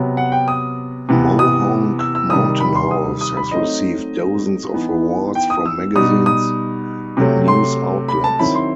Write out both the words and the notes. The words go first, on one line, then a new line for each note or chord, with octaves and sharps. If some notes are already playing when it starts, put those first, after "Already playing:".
Mohonk Mountain House has received dozens of awards from magazines and news outlets.
Already playing: C3 F#3 B3
F#5
G5
D#6
C3 E3 B3
D#6
E6
E6
C3 D#3 G3 D#6
B5
C6
D#6
D#6
B5
F#3 A3 C4 D#4 D#5
E3 B3 D#4
G5
D#6
E6
B2 G3 D#4 D#6
D#6
C3 F#3 A3 C4
C6
B5
A5
D#3 F#3 C4 E4 B5
C6